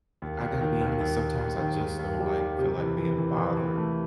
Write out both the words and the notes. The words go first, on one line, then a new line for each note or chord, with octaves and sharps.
I gotta be honest, sometimes I just don't, like, feel like being bothered
D#2
D#2
D#3
D#2
D#2
D#2
D#2
D#3
D#2
D#2
G3
G3
C3
E3
E3
E3
E3
E3
A3